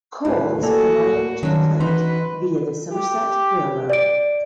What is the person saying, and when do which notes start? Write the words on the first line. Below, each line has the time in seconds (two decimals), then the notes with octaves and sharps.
Coal is provided to the plant via the Somerset Railroad.
0.25 A2 E4 G4 B4
0.63 A#3 F#4 A4 D5 G#5
1.43 G2 D3 D#3 F#3 C#4
1.80 E3 D#4 F#4 B4 C6
2.92 G4
3.90 D5 D7